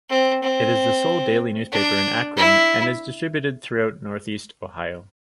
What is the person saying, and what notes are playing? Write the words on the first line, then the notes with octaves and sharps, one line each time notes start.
It is the sole daily newspaper in Akron and is distributed throughout Northeast Ohio.
C4
C4
D4
E4